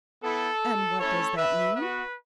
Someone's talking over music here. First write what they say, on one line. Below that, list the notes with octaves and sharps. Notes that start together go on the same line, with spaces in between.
And what does that mean?
B3 E4 A4
A3 C#4 E4 A4 C#5
B4 E5
B3 F#4 B4